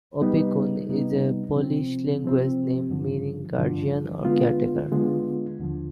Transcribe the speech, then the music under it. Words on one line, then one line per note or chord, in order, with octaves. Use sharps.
Opiekun is a Polish language name meaning "guardian" or "caretaker".
C3 G3 B3 D#4
C3 G3 B3 D#4
C3 F3 C4
C3 F3 C4
G2 D3 F3
G2 D3 F3
D3 G#3 B3 F4
D3 G#3 B3 F4
D#2 D3 F3